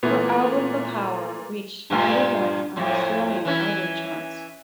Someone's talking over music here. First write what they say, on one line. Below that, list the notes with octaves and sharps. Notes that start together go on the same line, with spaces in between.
Her album "The Power" reached number one on the Australian album charts.
A#2 E3 A3 B3
G2 A#2 F4
F2 A2
E3 C#4 E4